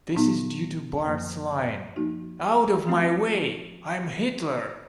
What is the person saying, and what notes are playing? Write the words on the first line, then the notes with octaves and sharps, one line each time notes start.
This is due to Bart's line "Out of my way, I'm Hitler".
A#2 F#3 B3 D#4
F#2 C#3 F3 A#3
F3 A#3 D#4 F#4
F3 A3 C4 F4